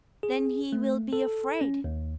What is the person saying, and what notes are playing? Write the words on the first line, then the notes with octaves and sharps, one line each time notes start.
Then he will be afraid!
G#4
A3
A4
C#4
D#2